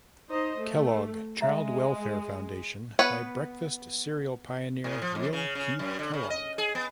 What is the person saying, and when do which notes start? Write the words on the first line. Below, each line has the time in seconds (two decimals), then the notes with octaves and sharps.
Kellogg Child Welfare Foundation by breakfast cereal pioneer Will Keith Kellogg.
0.29 D#4 C5 D#5
0.59 A3
1.41 G#3 E5 A#5
2.99 B3 B4 C#5
4.84 A2
5.02 F3
5.15 F2
5.33 C#3
5.55 C#3
5.79 F#2
5.99 D3
6.13 C#3
6.30 D#5
6.58 G#4
6.75 B3